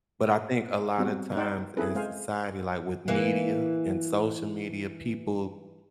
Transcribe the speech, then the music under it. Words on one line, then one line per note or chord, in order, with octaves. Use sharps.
But I think a lotta times in society, like with media and social media, people,
G3 B3 C4 F#4
D#4 C5 D5 F#5 G5
C4 C#4 E4 G#4 A4 B4
G#3 C5 F5 G#5
E3 A#3